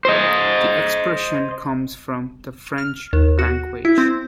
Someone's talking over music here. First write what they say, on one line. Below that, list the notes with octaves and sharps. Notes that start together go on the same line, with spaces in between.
The expression comes from the French language.
C5 D#5
F6
D#2
F#4
E4
C4